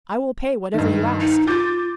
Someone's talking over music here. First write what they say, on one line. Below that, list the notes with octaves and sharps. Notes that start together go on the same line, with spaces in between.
"I will pay whatever you ask."
G2 D#3
D#4
F4 D6 G6 A6